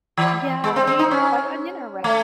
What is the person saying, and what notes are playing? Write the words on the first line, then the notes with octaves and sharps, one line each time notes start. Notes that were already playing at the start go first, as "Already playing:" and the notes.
Yeah, do you use white onion or red?
E3
G#3
C4
C4
D#4
C#4
A3